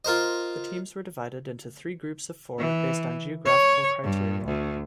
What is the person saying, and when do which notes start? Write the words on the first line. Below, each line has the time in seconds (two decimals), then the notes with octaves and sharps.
The teams were divided into three groups of four based on geographical criteria.
0.05 F4 A#4 C5 D#5
2.58 E3
3.45 C#5
4.04 G2
4.45 D2